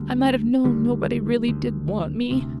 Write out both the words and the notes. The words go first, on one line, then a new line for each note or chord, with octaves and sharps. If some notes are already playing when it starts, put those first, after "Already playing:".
I might have known nobody really did want me.
Already playing: D2 D3 G3 A#3
D2 D3 D#3 G3
D2 D3
D2 C3